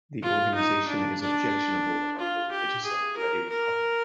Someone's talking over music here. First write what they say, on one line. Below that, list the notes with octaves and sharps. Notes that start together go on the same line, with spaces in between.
The organization is objectionable among the religious and Haredi public.
F4
D#4
D4
D4
F4
G4
G#4
A#4
A#4